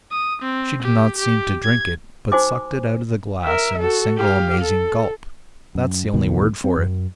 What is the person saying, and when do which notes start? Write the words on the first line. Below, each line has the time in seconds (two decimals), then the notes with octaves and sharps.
She did not seem to drink it, but sucked it out of the glass in a single amazing gulp--that's the only word for it.
0.11 D#6
0.42 C4
0.82 G4
1.18 G4
1.64 G#6
2.32 D#4 F#4 C5 G#5 C6 D6
3.44 A#4 E5
3.79 F#4 A4
4.17 G4 F5
4.62 A4
5.75 F#2
6.13 E1 C#2 B2 D#3
6.64 C4
6.77 F#2